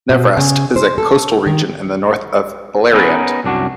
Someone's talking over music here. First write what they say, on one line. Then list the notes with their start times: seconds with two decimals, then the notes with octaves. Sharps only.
Nevrast is a coastal region in the north of Beleriand.
0.10 B2
0.37 C#3
0.76 C5
0.98 A4
1.47 D#3
2.93 B3 C#4 D#4 A#4 B4
3.44 C2 F#2 D4 F#4